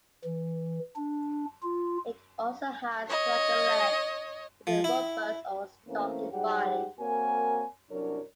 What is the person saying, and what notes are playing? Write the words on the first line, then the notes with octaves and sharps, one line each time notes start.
It also has slender legs with a robust or stocky body.
E3
D4
F4
C#5 D#5
F3
E4
E3 A3 A#3 C4 C#4
G#2 F#3 G3 G4 G#4 F#5
A#3 C4 F#4 A#4 C#5 G#5
C2 F#2 F#3 D4 A#4 C#5